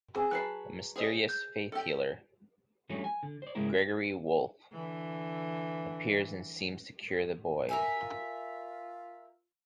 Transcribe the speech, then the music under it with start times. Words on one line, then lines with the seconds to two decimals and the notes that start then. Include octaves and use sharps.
A mysterious faith healer, Gregory Wolfe, appears and seems to cure the boy.
0.16 C4 G#4 G#5
0.31 F#3 B4 A5 F#6 C7
0.96 G#4 C5 D#5
1.29 G6
1.72 G4 A4
2.89 F#3 G3 A3 C#4 D4 F#4
3.04 G#5
3.23 D3
3.42 C5 D5
3.55 G#2 C#3 G#3 A#3 E4 A#4
4.72 D3 E3
7.69 A#4 E5 G#5
8.01 F4